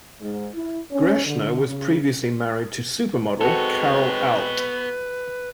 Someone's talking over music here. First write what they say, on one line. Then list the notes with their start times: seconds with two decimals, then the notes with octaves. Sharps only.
Greschner was previously married to supermodel Carol Alt.
0.21 G#2
0.54 E4
0.91 C#4
1.26 D3
1.67 C#3
3.41 G#2 G#3 B3 C4 F#4 A4 B4 C#5